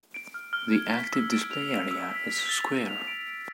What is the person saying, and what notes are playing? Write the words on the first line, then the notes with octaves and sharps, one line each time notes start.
The active display area is square.
D7
F6
F6
G#6
B6
E6
D7
F7
D7
E6
B6
B6
A6
A6
F7
D7
D7